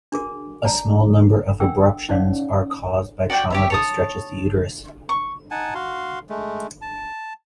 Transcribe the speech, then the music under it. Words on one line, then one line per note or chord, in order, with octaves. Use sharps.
A small number of abruptions are caused by trauma that stretches the uterus.
D4 F#4 G#4 A#4
D5 A5 A#5
D4 A#4 F#5 G5 E6
C#4 D#4 C#5 D5 F5 F#5
F#4 D5 F#5 G5
G4 C#5 E5
C#5 A5 D#6
C#6
D#4 F#5 G#5 A5
F#4 F5 C6
G#3 A3
A5